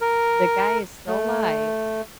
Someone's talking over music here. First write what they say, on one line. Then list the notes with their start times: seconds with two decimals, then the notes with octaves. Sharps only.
the guy is still alive,
0.01 A#4
1.08 A3